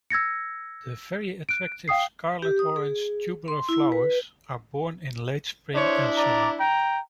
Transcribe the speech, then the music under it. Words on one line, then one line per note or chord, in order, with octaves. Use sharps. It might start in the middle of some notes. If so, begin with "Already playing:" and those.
The very attractive scarlet-orange tubular flowers are borne in late spring and summer.
E6 G#6 A#6 C#7
F#6 D7
F5 G5 D#6 C7
G4
D#6
G#4
C6
E4
B4
D4 E4 C5 C#5
D5 A#5
G5 A#5